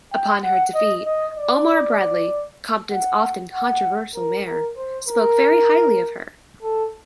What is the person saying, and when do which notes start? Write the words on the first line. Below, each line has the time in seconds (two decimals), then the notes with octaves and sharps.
Upon her defeat, Omar Bradley, Compton's often controversial mayor, spoke very highly of her.
0.13 G5
0.44 F#5
0.75 D#5
1.06 D#5
1.37 D5
2.91 F#5
3.53 F#5
4.15 A#4
4.46 A#4
4.77 C5
5.08 A#4
6.62 A4